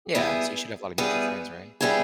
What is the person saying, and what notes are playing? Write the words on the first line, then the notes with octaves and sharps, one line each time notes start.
Yeah. So you should have a lot of mutual friends, right?
G3 B3 E4 G#4
G3 B3 E4 G#4
G3 B3 E4 G#4